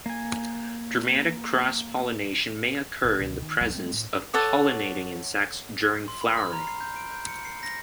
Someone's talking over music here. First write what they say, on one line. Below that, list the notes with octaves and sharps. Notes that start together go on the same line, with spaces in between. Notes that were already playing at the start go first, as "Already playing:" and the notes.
Dramatic cross-pollination may occur in the presence of pollinating insects during flowering.
A#3 G#5
A#1 B2
C#2 B2 D3
D#3
C2 F2 F#3 G#3
G3 A3 A#3 C4
A2
A4 C#5 F#5 D6
C6
B5
F6
A#5
C7
G6
D7
G6
C#7
C7
A#6